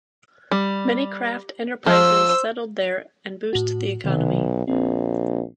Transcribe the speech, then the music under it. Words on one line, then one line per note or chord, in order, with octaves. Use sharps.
Many craft enterprises settled there and boost the economy.
G3
F3 C5 E6
A2 F#4
B1 C3 D#3
A#1 C4